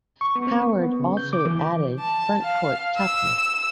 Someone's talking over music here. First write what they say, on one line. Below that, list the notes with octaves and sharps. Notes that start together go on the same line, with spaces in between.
Howard also added frontcourt toughness.
C#6
B3
C4
A#3
B3
C#3
G6
D6
E3
A5
F5
E6